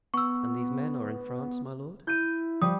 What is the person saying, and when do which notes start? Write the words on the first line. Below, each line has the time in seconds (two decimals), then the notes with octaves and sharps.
"And these men are in France, my lord?"
0.14 B3 C#6 E6
2.07 E4 G6 D#7
2.62 F3 G3 D#6